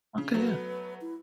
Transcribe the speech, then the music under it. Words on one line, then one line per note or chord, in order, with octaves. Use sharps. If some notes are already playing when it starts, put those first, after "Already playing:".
Okay, yeah.
C#3
F#3 A3 B3 B4
E4